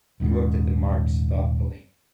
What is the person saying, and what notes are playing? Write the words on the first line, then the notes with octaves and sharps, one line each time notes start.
He looked at the marks thoughtfully.
D#1 D#2 G#2 C#4